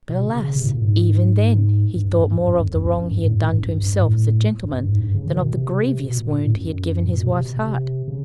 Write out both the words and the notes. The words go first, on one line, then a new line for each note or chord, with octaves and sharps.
But, alas! even then he thought more of the wrong he had done to himself as a gentleman than of the grievous wound he had given his wife's heart.
B2
C#3
C#3
C3
A2
A#2
G#2
G2
G2
G2
G2
F#2
F2
E2
F#2
F2
F#2
G2
A2
A2
G#2
F#2
G2
G2
A2
F#2
G2
G#2
G2
C#3
D#3
B2
C3
B2
A#2
A#2
A2
F#2
A#2
B2
C3
C3
C#3